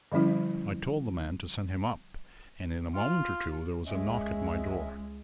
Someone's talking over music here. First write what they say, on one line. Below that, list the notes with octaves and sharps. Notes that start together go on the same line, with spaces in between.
I told the man to send him up, and in a moment or two there was a knock at my door.
D3 F3 G3 C#4 E4
F4
C#2 G#3 C#4 D#5 E5